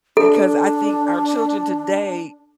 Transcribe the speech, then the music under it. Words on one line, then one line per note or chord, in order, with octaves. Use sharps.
Because I think our children, today,
D4 A4